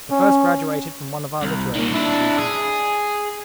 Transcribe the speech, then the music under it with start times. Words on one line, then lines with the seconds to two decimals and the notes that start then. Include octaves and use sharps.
The first graduated from one of our literary institutions.
0.11 C#4
1.43 C2
1.75 A#2 D#3
1.92 D4 E4
2.38 G#4